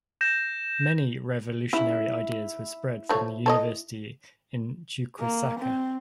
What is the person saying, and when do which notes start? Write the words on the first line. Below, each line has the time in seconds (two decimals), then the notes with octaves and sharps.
Many revolutionary ideas were spread from the University in Chuquisaca.
0.21 G6 A#6 E7
1.73 C#3 E4
3.09 F3 A3 C#5
3.46 A4 C#5 D#5
5.20 A#3
5.59 C4